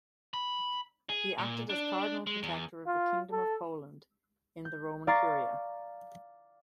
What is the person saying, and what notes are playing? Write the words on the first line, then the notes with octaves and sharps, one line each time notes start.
He acted as Cardinal Protector of the Kingdom of Poland in the Roman Curia.
B5
G#4
A#2
D4
G#3
E2
F4
A4
G6
D5 F5 A#5 C#6 A6 C7